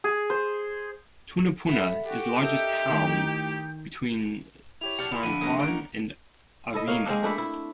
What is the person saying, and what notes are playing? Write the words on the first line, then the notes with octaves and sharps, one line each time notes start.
Tunapuna is the largest town between San Juan and Arima.
G#4
C5
A4 E5 F#5 B5
F#4 G4 A4
D#4 A4 A#4 D#5 E5 G5 G6
D#3 A3 E4
E4 G4 C#5 F7
F#3 D4 G4 F6 C#7
E4
F2 D3 D#7
C#3 A#3 A#4 F#5 D#6
G3 D#4 F#5 D7
E4 A4 D#5
A#3 C#5 F5
G#3 C4 D4
A3 D4 E4 E5
E4